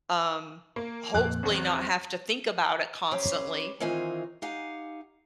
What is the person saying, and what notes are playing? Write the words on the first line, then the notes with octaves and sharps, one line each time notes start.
um, hopefully not have to think about it constantly,"
A#3
F2 A#2 F#6
A1 E2 C4
C#4 G4 B4 C5
D#3 E3 C4 D#4 F4 G#5
D#4 G4 F5 F#5 G#5